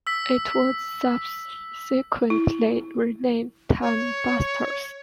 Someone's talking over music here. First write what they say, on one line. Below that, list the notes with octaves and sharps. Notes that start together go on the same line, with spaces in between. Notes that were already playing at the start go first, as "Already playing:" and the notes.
It was subsequently renamed "TimeBusters".
E6 B6
E4
C#5